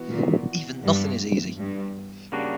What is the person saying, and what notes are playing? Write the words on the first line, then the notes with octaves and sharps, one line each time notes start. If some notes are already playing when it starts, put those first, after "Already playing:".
Even Nothing is easy!
Already playing: E3 B3 F#4
A#2
G2
G2
C#3 G3 A#3 D4 F#4